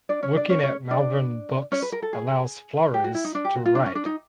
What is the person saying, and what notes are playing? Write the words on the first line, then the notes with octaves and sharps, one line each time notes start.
Working at Malvern Books allows Flores to write.
D4 D5
C#4 C#5
D4 D5
C#4 C#5
C#4 C#5
D4 D5
C#4 C#5
B4
A#4
A4
G#4
G4
F#4
E4
D#4
D4
G4
F#4
F4
D4
C#4
D4
D#4